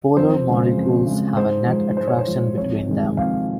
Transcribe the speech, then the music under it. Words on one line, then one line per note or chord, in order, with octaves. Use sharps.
Polar molecules have a net attraction between them.
F2 C5
C#3 G#3
F2
C#3 G#3
G#2 C5
F3 G#3
G#2 C5
C#5
C5
F3 G#3
F2 C#5
C3 D#3 G#3
F2 F5